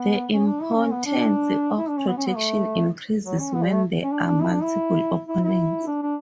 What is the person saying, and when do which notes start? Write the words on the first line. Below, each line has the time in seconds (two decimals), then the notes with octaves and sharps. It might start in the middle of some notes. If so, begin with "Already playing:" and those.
The importance of protection increases when there are multiple opponents.
Already playing: B3
0.33 C#4
0.47 D4
0.62 E4
0.76 C#4
0.91 B3
1.06 D4
1.78 E4
1.89 D4
1.98 C#4
2.08 B3
2.17 C#4
2.27 B3
2.37 A3
3.25 F#3
3.39 C#4
3.54 B3
3.63 G3
3.73 A3
4.04 C#4
4.12 D4
4.27 D4
4.41 E4
4.52 D4
4.62 E4
5.29 E4
5.44 E4
5.87 D4
6.02 D4